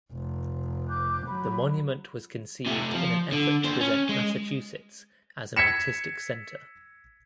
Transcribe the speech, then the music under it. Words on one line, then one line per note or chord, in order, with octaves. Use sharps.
The monument was conceived in an effort to present Massachusetts as an artistic center.
F1
D6 F#6 G6
F#3 B5
C3 A3
F3
D3
D4 C5
C#4
G#3
G#6 B6 C#7 E7